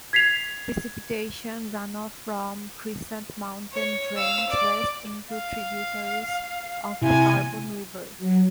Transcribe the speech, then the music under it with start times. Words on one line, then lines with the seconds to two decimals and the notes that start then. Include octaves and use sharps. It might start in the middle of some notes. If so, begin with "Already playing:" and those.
Precipitation runoff from Crescent Mountain drains west into tributaries of the Carbon River.
0.13 G#6 B6 C7 F7
3.72 C#5
4.16 F5 E6
4.50 D5
5.29 F5
7.02 C3 E4 G#5
8.18 F#3